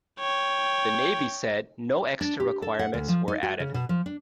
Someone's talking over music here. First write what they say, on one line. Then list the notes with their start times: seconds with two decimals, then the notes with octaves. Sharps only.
The Navy said no extra requirements were added.
0.20 C#5 G5
2.21 D4
2.40 G4
2.62 A4
2.79 F#5
2.94 D2
3.08 F3
3.28 D#4
3.43 F#4
3.60 C#3
3.74 B2
3.89 F3
4.06 D4